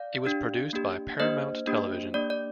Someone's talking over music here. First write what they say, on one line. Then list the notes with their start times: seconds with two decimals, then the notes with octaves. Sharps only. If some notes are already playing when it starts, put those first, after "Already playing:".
It was produced by Paramount Television.
Already playing: D5 F5
0.26 D4 G4
0.73 A#3 D4 G4
1.20 A#3 D4 G4 C5 D#5
1.67 A#3 D4 G4
2.14 A#3 D4 G4 D5
2.30 D5